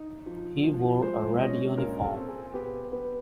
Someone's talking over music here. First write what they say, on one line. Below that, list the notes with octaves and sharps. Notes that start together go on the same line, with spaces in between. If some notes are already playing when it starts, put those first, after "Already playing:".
He wore a red uniform.
Already playing: D#4
F3
F3
G#3 C5
C#4 D#5
A#2 A#4
A4
C4
G#4
B3 G4
B3